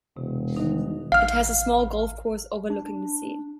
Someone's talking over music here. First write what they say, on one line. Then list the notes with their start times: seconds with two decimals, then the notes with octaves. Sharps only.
It has a small golf course overlooking the sea.
0.17 E1 C3
0.57 D#3 G3 D#4
1.12 A1 F5 F6
2.70 D4